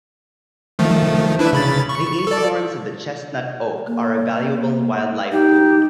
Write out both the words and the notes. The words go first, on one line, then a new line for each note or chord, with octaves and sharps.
The acorns of the chestnut oak are a valuable wildlife food.
D#3 F3 A3
D4 E4 B4
C#3 B5 A6
C#6
A4 D5
A#3
D#4 G4